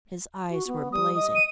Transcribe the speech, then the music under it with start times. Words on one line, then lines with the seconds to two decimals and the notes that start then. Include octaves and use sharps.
His eyes were blazing.
0.50 F#4
0.67 B3
0.92 G3 D#6
1.15 D#5 D#6
1.35 D#7